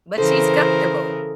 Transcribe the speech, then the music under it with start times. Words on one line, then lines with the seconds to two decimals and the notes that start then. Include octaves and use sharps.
But, she's comfortable.
0.18 C#3 E3 A4 A#4 C5